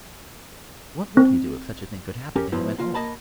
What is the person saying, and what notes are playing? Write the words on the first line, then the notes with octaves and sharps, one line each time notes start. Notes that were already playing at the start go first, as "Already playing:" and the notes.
What would he do if such a thing could happen to him at home?
C4
C#4 G4 A#4
B1 G#2 F3 B3 E4 F#4
A#3 F4
A#3 D#5 A5 B5